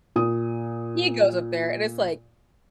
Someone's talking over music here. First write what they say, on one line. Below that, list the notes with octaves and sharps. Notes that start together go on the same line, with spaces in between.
he goes up there, and it's, like,
A#2 D#6